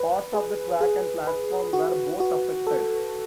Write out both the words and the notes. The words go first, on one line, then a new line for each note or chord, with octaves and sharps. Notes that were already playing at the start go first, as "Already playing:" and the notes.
Parts of the track and platform were both affected.
Already playing: B4
G#4
G#4
B4
F#4
F#4
A4